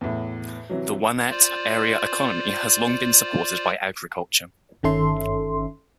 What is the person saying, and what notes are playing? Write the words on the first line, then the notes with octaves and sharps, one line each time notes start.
The Wanette area economy has long been supported by agriculture.
E2 A2
C3 E3 F#3
F4 C5 D5
G1 D#3 C#4 A4 E5 C6